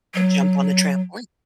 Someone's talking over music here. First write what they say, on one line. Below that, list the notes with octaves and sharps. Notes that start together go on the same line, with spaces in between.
and jump on the trampoline,
F#3